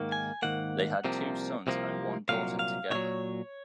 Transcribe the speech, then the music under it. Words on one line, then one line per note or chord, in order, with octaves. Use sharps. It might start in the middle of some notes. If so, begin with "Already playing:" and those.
They had two sons and one daughter together.
Already playing: G#2 D#3 A#3
G#5
G#2 D#3 A#3 F#5
C2 C3 F3 A#3
C2 C3 F3 A#3
C2 A#2 F#3 F5
F5
C2 A#2 F#3 C#5